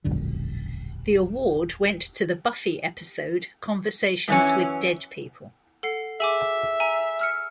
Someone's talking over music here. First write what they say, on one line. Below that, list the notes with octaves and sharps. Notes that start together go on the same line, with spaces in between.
The award went to the "Buffy" episode "Conversations with Dead People".
E1 A#1 F#2 D3
F#2 E3 C#4
A4 F#5 C7
G#4 E5 G#5 D6
G#5 A#5
E6 F6 C#7